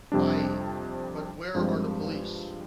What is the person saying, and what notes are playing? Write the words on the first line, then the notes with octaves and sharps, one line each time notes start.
Ay, but where are the police?
F2 C3 G3 D4
G2 F3 G#3 C4 G4